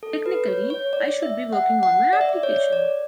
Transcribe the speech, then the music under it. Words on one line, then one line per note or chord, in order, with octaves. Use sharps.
Technically, I should be working on my application.
A4
B4
C#5
C#5
D5
E5
F#5
F#5
D5
E5
D5
C#5
D5